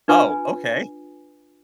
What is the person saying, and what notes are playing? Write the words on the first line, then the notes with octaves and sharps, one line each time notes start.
Oh, okay.
D4 F4 B4 G#5